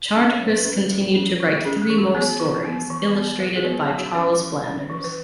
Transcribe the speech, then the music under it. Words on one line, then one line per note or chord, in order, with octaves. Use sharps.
Charteris continued to write three more stories, illustrated by Charles Flanders.
C#4
C#5
F#3
B4
C#4 B4
F#3
C#4
E3
C#4 G#4
G#4
E3
F#4
B3 G#4
E3
B3
E3
B3
F#3
G#4
B3 B4
G#4
F#3
F#4
C#4 B4
E3
C#4
E3
B4